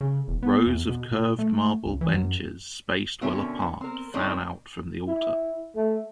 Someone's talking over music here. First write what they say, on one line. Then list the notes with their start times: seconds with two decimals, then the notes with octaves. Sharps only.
Rows of curved marble benches, spaced well apart, fan out from the altar.
0.01 C#3
0.28 E1
0.43 B3
0.67 E2
0.89 B2
1.11 A#2
1.39 A3
1.86 C#2
2.01 E3
2.14 F#2
3.21 B2 D3 C4 C#4 A#4 E5
3.81 C4 A#4
4.14 D3 G3 C4 C#4 D#4 A#4
5.08 E4
5.75 A3